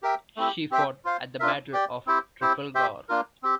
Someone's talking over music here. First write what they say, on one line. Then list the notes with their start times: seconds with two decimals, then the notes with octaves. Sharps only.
She fought at the Battle of Trafalgar.
0.03 G4 A#4 E5 G5
0.37 A3 C4 E4 G4
0.71 C4 G4 C5 E5 G5
1.05 F4 C5 F5
1.39 D4 F4 A#4 E5
1.73 G4 D5 G5
2.06 C4 E4 G4 C5
2.41 C4 E4 G4 C5
2.75 G4 C5 E5 G5
3.09 A#3 D4 F4 A#4
3.43 C4 G4